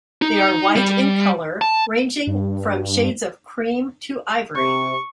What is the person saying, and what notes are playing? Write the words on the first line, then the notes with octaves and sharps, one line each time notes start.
They are white in colour, ranging from shades of cream to ivory.
D#4
G3
A5
G2
C3 C#6